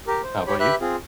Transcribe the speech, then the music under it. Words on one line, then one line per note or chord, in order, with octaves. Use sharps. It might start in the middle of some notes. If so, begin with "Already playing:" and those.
How 'bout you?
G4 A#4
C5
G4 C#5 B5
G4 B4 E5 B5 F#6
C4 F4 G#4